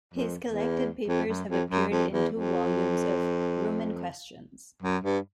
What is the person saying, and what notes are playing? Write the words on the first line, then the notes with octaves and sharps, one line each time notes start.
His collected papers have appeared in two volumes of "Roman questions".
F2
E2
F2
F#2
F2
F#2
F2
E2
F2
F#2
G2